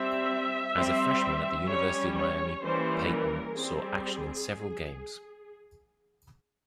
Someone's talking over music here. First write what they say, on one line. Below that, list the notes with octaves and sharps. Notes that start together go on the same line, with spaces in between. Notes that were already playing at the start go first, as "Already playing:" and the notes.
As a freshman at the University of Miami, Payton saw action in several games.
Already playing: G3 C4 E5
G3 C4
G3 C#4 C#5
C#5
E3 G3 A#3 C#4 C5
A#4
G3 C4 G#4